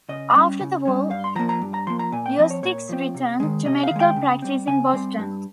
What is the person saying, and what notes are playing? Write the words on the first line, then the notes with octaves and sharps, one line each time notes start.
After the war Eustis returned to medical practice in Boston.
C#3 D#5
G3 C#4
C#3
G3 C#4
G2 F5
C6
F3 A#3 A#5
A#5
G2
A#5
F3 A#3 C6
A#5
A#2 G#5
G5
F3 C4 D#5
C#5
A#2 C#5
F3 C4
C3
D#3 G#3
C3 D#5
F5
D#3
G#3 G5
C#3
G3 C4
C#3 G#5
G3 C4
G2